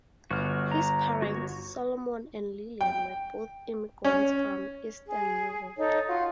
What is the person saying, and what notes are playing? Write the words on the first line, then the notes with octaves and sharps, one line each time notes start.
His parents, Solomon and Lillian, were both immigrants from Eastern Europe.
G1 F#4 F6
A#5
F#4 C#5 C#6
G5
C#4
G#4
D#4 A4 C#5
F4 F#4